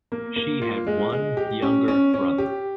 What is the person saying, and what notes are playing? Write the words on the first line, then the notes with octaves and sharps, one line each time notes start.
She had one younger brother.
A#3
A#3
F4
G#3
G#3
G4
C#4
C#4
C#4
G4